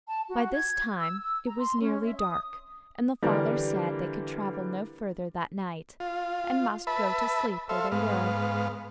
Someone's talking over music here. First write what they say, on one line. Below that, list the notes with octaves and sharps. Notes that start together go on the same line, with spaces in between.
By this time it was nearly dark, and the father said they could travel no further that night, and must go to sleep where they were.
A5
F#4
G#6
E6
E6
A#5
C6
C#4
E5
D#6
D3 E3 G3 A#3 D4 A#4
F4
B4 E5 A5 B5
A4 C5 E5 F5
G#2 B3 F5